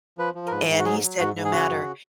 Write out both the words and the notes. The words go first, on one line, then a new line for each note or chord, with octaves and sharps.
and he said, "No matter"
F3 B4
F3
A#4
G#2 B4
G#2
F#4
F#3 G#4
F#3
G#2 F#4
G#2
G#4
C#3 F#4
F#2